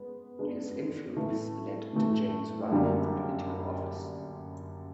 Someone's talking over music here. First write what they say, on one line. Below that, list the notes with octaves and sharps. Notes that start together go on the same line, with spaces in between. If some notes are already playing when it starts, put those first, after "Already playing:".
His influence led to James running for political office.
Already playing: G#3 B3
G#3 B3 D4
A2 E3 A3
A2 E3 A3
F#2 D3 G3 A#3 D4